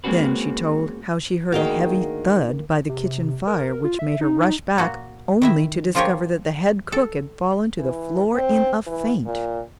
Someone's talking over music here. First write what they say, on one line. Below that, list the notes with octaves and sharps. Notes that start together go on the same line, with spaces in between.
Then she told how she heard a heavy thud by the kitchen fire, which made her rush back, only to discover that the head cook had fallen to the floor in a faint!
G#3 A#3 C4 C#4 F#4 B4
D2 D#3 A#3 F#4 G#4 D#5 F5 G5
C3
A#4
F4
E5
D#4
A#2 A#3 F#4
D#3 E4 E5
F3 A#3 F4 G4 A#4 C#5
A4
E3
C4
E3
A#2